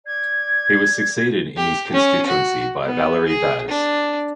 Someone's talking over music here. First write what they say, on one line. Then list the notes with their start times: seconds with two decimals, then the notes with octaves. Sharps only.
He was succeeded in his constituency by Valerie Vaz.
0.04 D5 G#6
1.57 G4
1.92 C#4
2.26 F#4
2.84 B3
3.27 G#4
3.68 D4